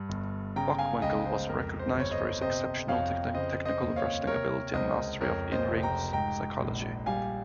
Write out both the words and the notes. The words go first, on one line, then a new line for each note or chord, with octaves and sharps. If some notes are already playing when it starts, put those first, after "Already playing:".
Bockwinkel was recognised for his exceptional technical wrestling ability and mastery of in-ring psychology.
Already playing: G2
G1
C#3 G5 A#5
F5 G#5
C#2 D#5 G5
C5
F2 A#4
C5
G1 C#5
C5 D#5
C3 C5 D#5
F2 C#5 F5
C#3 C5 D#5
C5 D#5
D#2
C#5 F5
C3 A#4 C#5
C#2 C5 D#5
F2 A#4 C#5
C5 D#5
F1
G5 A#5
G#2 G5 A#5
A#1
G3 F5 G#5